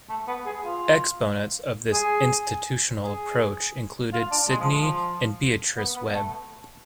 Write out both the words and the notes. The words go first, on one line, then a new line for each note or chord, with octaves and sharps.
Exponents of this "institutional" approach included Sidney and Beatrice Webb.
A3
B3
G#4
F4
G#4
G#4
F4
D4
G#3
F3
F3
B3
B3
A3